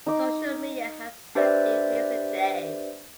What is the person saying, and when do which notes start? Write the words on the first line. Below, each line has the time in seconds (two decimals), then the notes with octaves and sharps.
Social media has helped in recent days.
0.06 D#4 D6
1.35 D4 G4 B4 C5 D5 E5